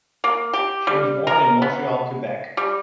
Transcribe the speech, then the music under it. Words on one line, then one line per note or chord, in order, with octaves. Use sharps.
She was born in Montreal, Quebec.
A#3
G4
G3
A#4
B3
G3